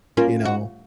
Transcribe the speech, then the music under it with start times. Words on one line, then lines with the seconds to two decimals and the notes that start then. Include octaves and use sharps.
you know
0.17 A#3 C#4 F4
0.45 F#4